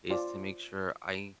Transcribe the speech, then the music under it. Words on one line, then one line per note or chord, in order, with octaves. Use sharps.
is to make sure I
F4 C5 D5